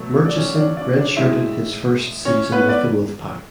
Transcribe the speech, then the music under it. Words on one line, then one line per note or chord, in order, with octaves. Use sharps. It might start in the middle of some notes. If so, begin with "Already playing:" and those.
Murchison redshirted his first season with the Wolfpack.
Already playing: B2 F#3 A3
D5
C#4 C#5
D4 D5
D4 D5
D4 D5
A2 G#3 E4 E5
C#4 C#5
B3 B4
D5